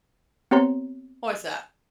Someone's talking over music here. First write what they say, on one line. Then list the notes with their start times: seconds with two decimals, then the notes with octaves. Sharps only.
What was that?
0.51 B3 C4 G4 C#5 A#5 C6